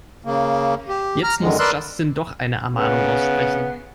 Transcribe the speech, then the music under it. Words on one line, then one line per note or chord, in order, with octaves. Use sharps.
Jetzt muss Justin doch eine Ermahnung aussprechen.
C#3 A#3
G4
A#5 F6
F#2 D3 D#3 G#3
A#4 B4 D5 C6 E6 F#6
C#3 B3